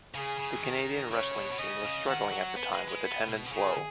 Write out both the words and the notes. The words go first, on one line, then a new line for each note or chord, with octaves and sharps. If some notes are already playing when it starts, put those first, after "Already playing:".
The Canadian wrestling scene was struggling at the time, with attendance low.
C#3 G#4
C#3
F#3
D#3
C#3 C#5
B2
B2
C#3 D#5
C#3
D#3 F#5
F#3
B3 B4
G#3
G#3
B3
B2
B2
C#3 G#4